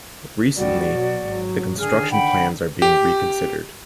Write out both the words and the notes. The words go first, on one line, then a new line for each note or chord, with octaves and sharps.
Recently, the construction plans are being reconsidered.
D2 G3 F#4 D5
B2 F#3
G#1 F#3
D3 D#3 G#4 F6
F#5 G5 B5
G4